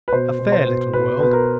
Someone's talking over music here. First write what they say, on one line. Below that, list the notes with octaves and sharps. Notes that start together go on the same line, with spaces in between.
A fair little world.
B4
B2 C5
B2
C5
B2
B2 B4
B2 B4
A#4